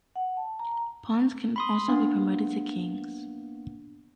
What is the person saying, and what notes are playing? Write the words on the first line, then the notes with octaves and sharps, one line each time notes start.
Pawns can also be promoted to Kings.
F#5
A5
A#5
B5 C6 D#6
A#3 B3 D4